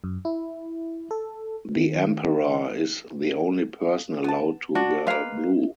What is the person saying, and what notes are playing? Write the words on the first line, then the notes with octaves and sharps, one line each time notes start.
The Emperor is the only person allowed to wear blue.
F#2
E4
A4
D#3
B3 A5
D4 F#4
G#3 A#3 B4 F5